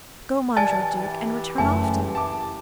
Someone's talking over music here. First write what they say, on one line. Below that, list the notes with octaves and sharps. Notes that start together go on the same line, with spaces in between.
Go, Monsieur Duke, and return often.
E3 G4 D5 G#5 A5 A6
F#1 A3 G#5 A5
A5 D6